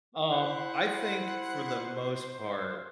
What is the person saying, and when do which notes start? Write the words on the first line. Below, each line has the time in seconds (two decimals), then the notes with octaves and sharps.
Um, I think for the most part,
0.31 E4 C5 F#5